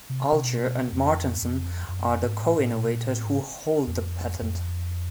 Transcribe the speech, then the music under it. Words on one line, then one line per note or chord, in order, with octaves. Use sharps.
Alger and Martinsen are the co-inventors who hold the patent.
C3
C3
B2
F2
F2
F2
F#2
F2
G#2
A2
A2
A#2
B2
A#2
A2
G#2
E2
F2
F2